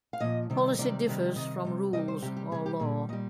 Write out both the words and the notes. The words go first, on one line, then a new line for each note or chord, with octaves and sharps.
Policy differs from rules or law.
F5
A#2 F3 D#5
C3 D#3 G3
C3 D#3 G3 D5
C3 D#3 G3
C3 D#3 G3 D#5
C3 G3
C3 G3 D#5
C5
C3 G3 G4
G4
C3 G3 G#4
G4
A#2 G3 G#4
A#2 G3 D#5